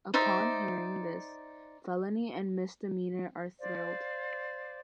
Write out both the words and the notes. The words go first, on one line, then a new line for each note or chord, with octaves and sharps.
Upon hearing this, Felony and Miss Demeanor are thrilled.
D#4 C5 D5 E5
C5 D5 F5